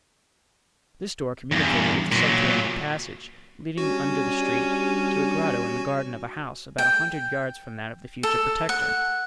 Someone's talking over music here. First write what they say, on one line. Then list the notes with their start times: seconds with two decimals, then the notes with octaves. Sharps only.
This door communicated with a subterranean passage, leading under the street to a grotto in the garden of a house about a hundred yards from that of the future Protector.
1.52 E2 G2
2.12 A#2 F#3
3.78 G3 C#4 D4 F#4
6.78 G5
8.23 A4
8.69 F#5